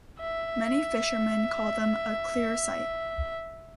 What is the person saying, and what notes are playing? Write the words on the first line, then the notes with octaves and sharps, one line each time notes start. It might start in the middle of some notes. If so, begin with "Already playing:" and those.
Many fishermen call them a "clear sight".
E5